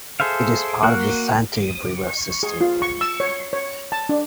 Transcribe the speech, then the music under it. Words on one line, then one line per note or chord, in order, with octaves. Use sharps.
It is part of the Santee River System.
G#4 A4 C5 E5 F5
A#3 F#4 A#4 F#6
G#4
F4
C#6
E6
C#5
C#5
A5
D4